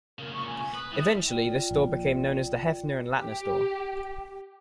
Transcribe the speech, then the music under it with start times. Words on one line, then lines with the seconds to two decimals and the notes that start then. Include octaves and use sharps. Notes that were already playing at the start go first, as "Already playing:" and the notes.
Eventually this store became known as the Heffner and Lattner Store.
0.19 A#2 C#3 A#4
0.33 C#6
0.47 G#5
0.74 B4 D#6
0.92 G3 E4
1.27 F4 D5 G5
1.71 A#1
3.16 G4